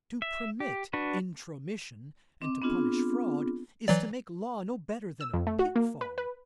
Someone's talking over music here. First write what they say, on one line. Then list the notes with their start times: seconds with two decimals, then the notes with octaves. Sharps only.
To permit Intromission, and to punish fraud, is to make law no better than a pitfall.
0.22 E5
0.60 G4
0.93 D4 F#4 B4
2.42 C4 D#5 D6
2.62 B3 C4 D4 F4 G#4
3.88 E3 F#3 D5
5.21 E6
5.33 F2
5.47 A3
5.59 F#4
5.76 A#3
6.01 B4
6.18 B4